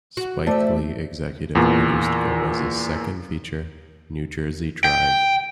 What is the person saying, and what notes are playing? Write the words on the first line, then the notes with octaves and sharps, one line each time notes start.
Spike Lee executive produced Gomez's second feature, "New Jersey Drive".
F#4
A3 C5 D5 E5
E2 A#2
G5